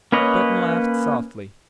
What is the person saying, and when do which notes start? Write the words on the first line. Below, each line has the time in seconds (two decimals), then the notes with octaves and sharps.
Breton laughed softly.
0.12 A#3 C#4 B4 C#5 D#5